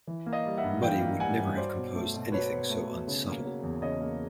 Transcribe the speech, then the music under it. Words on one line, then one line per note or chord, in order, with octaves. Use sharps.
Muddy would never have composed anything so unsubtle.
E3
A#3
D#5 F5
G3
E5 F#5
G2
E3 F5 G5
A#3
G3 F#5 G#5
G2
F#3 C5 D5
B2
A3
B2
F#3 B4 C#5
B2
A3
B2
C#3
A#3
F#3
E2
C#3 C#5 D#5
A#3